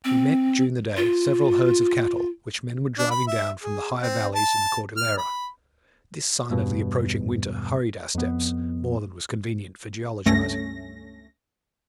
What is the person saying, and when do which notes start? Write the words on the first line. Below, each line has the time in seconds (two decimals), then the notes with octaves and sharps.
We met during the day several herds of cattle, which men were driving down from the higher valleys in the Cordillera. This sign of the approaching winter hurried our steps, more than was convenient for geologizing.
0.05 C4
0.97 F4
2.98 D4
3.10 B5
3.27 E5
3.63 G#4
4.02 C4
4.35 A5
4.97 F6
5.17 B5
6.50 E1 G2 B2
8.15 F2 B3
10.26 C#2 G2 A3 C#4 A#6